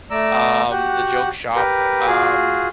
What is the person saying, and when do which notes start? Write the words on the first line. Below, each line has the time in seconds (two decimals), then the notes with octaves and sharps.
um, the joke shop. Um,
0.11 A3 D5 A#5 E6
0.71 F#4 G4 F#5
1.56 G4 A#4 B4
2.07 F4 F#4 G#4